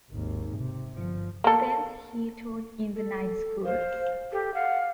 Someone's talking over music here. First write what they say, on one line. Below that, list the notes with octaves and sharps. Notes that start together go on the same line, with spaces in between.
Then he taught in the night schools.
G#1 D#2
C3
G1 F3
A#3 A4
A4
C5 F5
G4 A4
F5 F#5